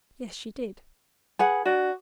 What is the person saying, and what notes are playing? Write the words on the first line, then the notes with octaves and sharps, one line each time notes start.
"Yes, she did."
G#4 B4 F#5
D4 F#4